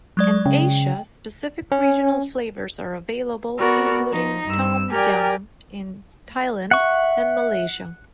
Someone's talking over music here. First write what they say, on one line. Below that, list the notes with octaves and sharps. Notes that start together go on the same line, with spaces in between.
In Asia, specific regional flavors are available, including Tom Yam in Thailand and Malaysia.
F#3 G#3 D5
C#3 G5
C#4
B3 F#4 A#4 D5
F3 D#4
G2 E6
G4 A#4 D5 G5 G#5
E5 F#5 C#6